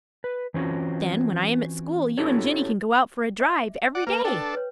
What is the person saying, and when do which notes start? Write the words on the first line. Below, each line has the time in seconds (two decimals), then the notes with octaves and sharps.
Then, when I am at school, you and Jinny can go out for a drive every day.
0.24 B4
0.54 E3 C4 C#4 F4 F#4
2.18 C#4 E4 F#4 G4 A4 C#5
3.40 D#5 E5 D6
3.95 D5 F#5
4.07 A#3 B4
4.25 D4 A4 G5
4.54 B4 C#5